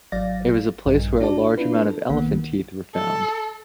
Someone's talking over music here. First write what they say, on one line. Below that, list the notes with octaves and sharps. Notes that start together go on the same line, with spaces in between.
It was a place where a large amount of elephant teeth were found.
G#1 F#3 D5 F5 A6 A#6
A#1 G2
D4 F#4 D5 A5
B3 D4 E4 F4 B4
A4
B1 D#3 A#3 B3 F#5
A4